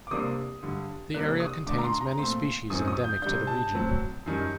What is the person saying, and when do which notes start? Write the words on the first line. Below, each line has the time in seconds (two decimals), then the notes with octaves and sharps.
The area contains many species endemic to the region.
0.07 D6
0.11 C3 G3 A#3 D4 D#6
0.63 G2 D3 G3
1.14 C3 G3 A#3 D4 F#6
1.40 D#6
1.66 D3 A3 D4 D6
1.78 A#5
1.84 C6
2.01 A#5
2.18 A#2 A3 C4 C6
2.70 F#2 D#3 F#3 C4 D#6
2.88 D#6
3.04 G6
3.22 C3 G3 D4 G6
3.47 A5
3.73 A2 F#3 C4
4.26 F#2 D#3 G3